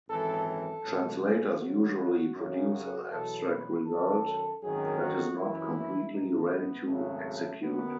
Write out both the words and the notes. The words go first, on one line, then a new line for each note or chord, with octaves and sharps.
Translators usually produce an abstract result that is not completely ready to execute.
G#1 F#2 E3 A4
A4
C#2 B2 F#3
G#4
E2 C#3 F#3 F#4
F#2 C#3 F#3
F#4
E2 B2 F#3 A4
B4
F#2 D#3 F#3 A4
G#1 F#2 D#3 F#3 G#4
F#4
F#2 E3 E4
A1 G#2 E3 D#4
B3
G#1 F#2 C#3 F#3 A3
F#2 D#3 F#3 B3